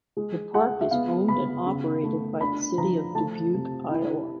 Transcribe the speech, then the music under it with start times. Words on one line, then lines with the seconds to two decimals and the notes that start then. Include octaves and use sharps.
The park is owned and operated by the city of Dubuque, Iowa.
0.17 G#3
0.54 G#3 F#5
0.81 E5
0.91 B3 F5
1.28 B3 B5
1.66 C#3
2.03 A3
2.41 D4 B5
2.78 F3 A#5
3.15 A3 A5
3.53 C3
3.90 E4